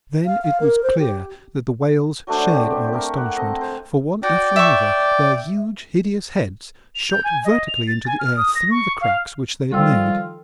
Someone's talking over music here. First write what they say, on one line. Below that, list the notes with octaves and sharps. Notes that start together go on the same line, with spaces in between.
Then it was clear that the whales shared our astonishment, for one after another their huge hideous heads shot vertically into the air through the cracks which they had made.
F5
F5
A#4
C5
G4
F#3 A3 D4 C5
C4 G4
A3 A#4 C6 C#6
F#5
C4 A4 D#5
C5
F#4 D5 G5
E5 C#6
F7
G6
G#5
D#5
F7
A6
G#5
F6
D#6
A#6
C#6
F5
D#3 F3 G3 F4 A4 G5 E6